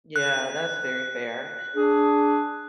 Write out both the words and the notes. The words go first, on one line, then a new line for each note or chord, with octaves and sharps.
Yeah, that's very fair.
F#6
D4 G#4